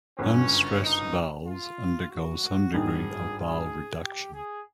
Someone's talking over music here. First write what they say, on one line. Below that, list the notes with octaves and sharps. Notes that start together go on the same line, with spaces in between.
Unstressed vowels undergo some degree of vowel reduction.
G1 F#2 C#3 C#4
D#4
F4
F#4
G#1 G2 D#3 G#4
G#4
G4
G#4